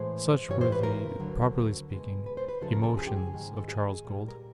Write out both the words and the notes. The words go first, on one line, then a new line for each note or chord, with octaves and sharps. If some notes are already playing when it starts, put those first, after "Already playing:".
Such were the--properly speaking--emotions of Charles Gould.
Already playing: A2 E3 G#3 C5
G2 E3 G3 C#5
C5
B4
A#4
D2 D3 F#3
B2 G#3
B4
C5
B4
D2 C#3 F3 G#3 A4
A#4
A4
G#4
G4
G#4
G#2 D#3 G#3
A4
G#4
A#2 G3
A#4